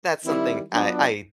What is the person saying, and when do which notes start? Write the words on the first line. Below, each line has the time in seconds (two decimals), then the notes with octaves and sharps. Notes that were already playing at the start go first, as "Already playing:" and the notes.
that's something I I
0.25 D#3 G3 C4 E4
0.71 F#3 B3 D4 F4